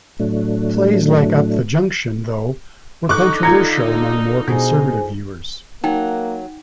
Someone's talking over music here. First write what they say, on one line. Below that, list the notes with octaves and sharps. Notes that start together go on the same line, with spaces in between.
Plays like "Up the Junction" though were controversial among more conservative viewers.
A2 F#3 A3 D4
D3 D#4 A4 C#6 D6 F#6
F4 A#5 G#6 C#7
B2 G#4 C5 G#5
F#3 A#3 D#4 G5